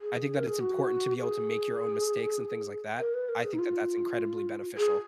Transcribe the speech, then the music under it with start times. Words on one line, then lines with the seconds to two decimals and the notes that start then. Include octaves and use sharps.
I think that it's important to be able to make your own mistakes and things like that, I think that that's incredibly beneficial.
0.01 G#4
0.35 A#4
0.48 G#4
0.60 F#4
1.20 G#4
2.99 A#4
3.14 B4
3.29 A#4
3.43 G#4
3.53 D#4
3.59 F4
4.78 G#4